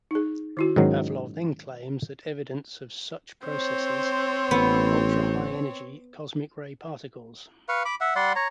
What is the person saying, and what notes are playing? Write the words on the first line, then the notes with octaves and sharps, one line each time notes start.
Pavlov then claims that evidence of such processes are ultra-high-energy cosmic ray particles.
D#4 G#4
D#3 E4 F#4
G#2 D#3 F#3 C#4
C4 C5 C#5
A1 B3
B4 F5 C#6
B5 D6
E5 F#5
G3 D5 F#5 C6
C#5 A#5